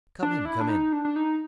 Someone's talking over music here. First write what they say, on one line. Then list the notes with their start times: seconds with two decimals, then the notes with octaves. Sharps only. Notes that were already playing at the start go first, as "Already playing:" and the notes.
Come in, come in.
0.23 D4
0.45 E4
0.61 D4
0.69 D#4
0.93 D4
1.05 D4
1.16 D#4